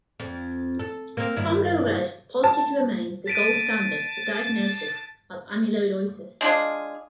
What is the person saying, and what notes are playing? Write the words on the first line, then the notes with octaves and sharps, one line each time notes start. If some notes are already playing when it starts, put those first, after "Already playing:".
Congo Red positivity remains the gold standard for diagnosis of amyloidosis.
F2
A4
A#3 C4
G2 D#3 E4
A5
A5 B6 D7 D#7
G#3 D4 F4 G#4